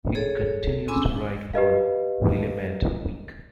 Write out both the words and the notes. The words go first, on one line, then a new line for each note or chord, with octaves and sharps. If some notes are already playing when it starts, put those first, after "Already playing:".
He continues to write for "Willamette Week".
G#4 A4 C#5
C4 C#4 G#5 B5 D6 E6
G4 B4 D#5 F5